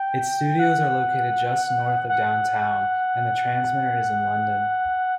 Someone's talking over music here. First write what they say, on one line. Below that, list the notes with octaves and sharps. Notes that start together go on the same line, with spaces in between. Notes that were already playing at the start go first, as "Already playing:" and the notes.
Its studios are located just north of downtown, and the transmitter is in London.
Already playing: G5
F#5
F#5